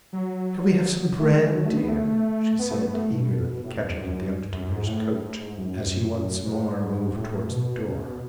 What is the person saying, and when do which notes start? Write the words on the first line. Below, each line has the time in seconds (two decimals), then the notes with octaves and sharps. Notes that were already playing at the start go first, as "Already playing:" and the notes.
Shall we have some bread, dear?' she said eagerly: catching at the undertaker's coat, as he once more moved towards the door.
0.13 F#3
1.19 A3
1.31 G#3
1.42 E3
1.53 F#3
1.65 A3
1.77 B3
1.88 A3
2.59 B3
2.71 A3
2.82 B3
2.94 A3
3.11 B2
3.64 A2
3.76 F#2
3.88 E2
3.99 F#2
4.52 F#2
4.69 G#2
4.87 A2
5.40 G#2
5.58 F#2
6.45 G#2
7.16 A2
7.50 B2
7.85 C#3
8.03 B2